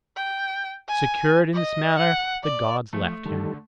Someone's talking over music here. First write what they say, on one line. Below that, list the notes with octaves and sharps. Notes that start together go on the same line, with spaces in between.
Secured in this manner the gods left him.
G5
G#5
D#5
F#5
D5
F3 A3
D3 D#3 G3 A4